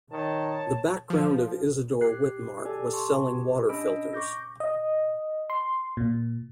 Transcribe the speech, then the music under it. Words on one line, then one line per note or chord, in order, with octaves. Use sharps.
The background of Isadore Witmark was selling water filters.
D#3 C#5 A5
F3
G4 F#6 C7
G4 A4 D5 G#5
A5 C6 C#6
G4
C#4 D4 D#5 B5 E6 D7
C#6 D6 G6 A#6
D#5
C6
A#2